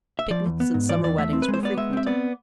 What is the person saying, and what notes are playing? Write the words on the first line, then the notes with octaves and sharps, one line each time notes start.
Picnics and summer weddings were frequent.
E5
F3 D5
E2
B3
G#2
E3 D5
E2 D5
A3 E5
C4
B4
G#3
C5
B3 D5
G#3 E5
C4 E5
B3 D5